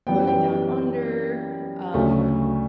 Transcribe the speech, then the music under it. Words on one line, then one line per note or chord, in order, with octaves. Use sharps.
Below Deck Down Under, um,
F#2 E3 G3 B3 G5
G5
D2 C#3 F#3 A3